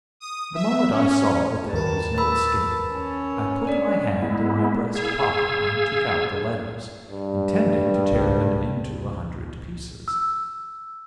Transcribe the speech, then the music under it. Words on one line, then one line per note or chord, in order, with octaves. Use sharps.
The moment I saw that there was no escape, I put my hand in my breast-pocket and took out the letters, intending to tear them into a hundred pieces.
D#6
E5
C#4
D#2 A#4 B4 A5
B5 E6
C#4
D4 D5
G#3 B3 E4
G#4 F5 E6 G#6
G2
C#2 A#2
E6